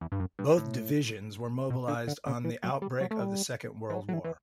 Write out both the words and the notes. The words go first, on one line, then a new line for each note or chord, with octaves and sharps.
Both Divisions were mobilised on the outbreak of the Second World War.
E2
G2
F#2
G2
A2
B2
D3
D3
C#3
E3
F#3
G3
F#3
A3
G3
E3
F#3
F#3
E3
E3